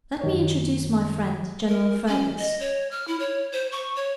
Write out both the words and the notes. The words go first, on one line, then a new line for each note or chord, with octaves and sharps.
Let me introduce my friend, General Fergus.
F#2 D#3 C#5
A#4
C#4
D#5
C#5
F6
E4
C#5
C5
C#6
C#5